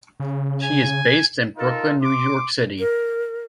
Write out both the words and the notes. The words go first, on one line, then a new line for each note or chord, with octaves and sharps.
She is based in Brooklyn, New York City.
C#3
G#5
D#4 F4 A4 A#4
C6 D6
A#4